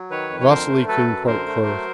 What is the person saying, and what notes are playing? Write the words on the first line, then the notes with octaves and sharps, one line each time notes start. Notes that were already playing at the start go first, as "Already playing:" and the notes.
Vasily came quite close.
Already playing: F#3
D#3 B4 C#5
F2
C#5
D3 A#4 C5
A3
F#3 A4 B4
F#2
D3 A#4 C5
A3
F#3